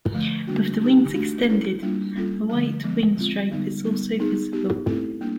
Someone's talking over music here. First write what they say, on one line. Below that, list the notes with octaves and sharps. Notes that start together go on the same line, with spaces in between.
With the wings extended, a white wing-stripe is also visible.
D3 F3 A3
D3 G3 A#3 D4 F#4
C4 D#4 G4
A3 D4 F#4
C#4 E4 A4 C#5
G3 A#3 D4 F4
G3 A#3 C#4 F4 A4
D3 F3 A3
F3 G#3 B3
G#3 C4 F4
D3 G3 B3 D#4
G3 B3 D#4
B3 D#4 G#4
B3 D#4 G4
A3 C4 E4 A4
G3 A#3 D4